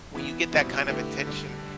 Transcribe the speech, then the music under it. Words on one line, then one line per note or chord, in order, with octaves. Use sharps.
when you get that kind of attention,
E3 B3 E4
B2 G3 C4 E4
D3 A3 E4 G4 B4
D3 G3 D4